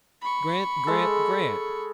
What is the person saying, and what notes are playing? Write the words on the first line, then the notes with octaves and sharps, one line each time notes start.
Grant, Grant, Grant!
B5 C#6
G#3 A4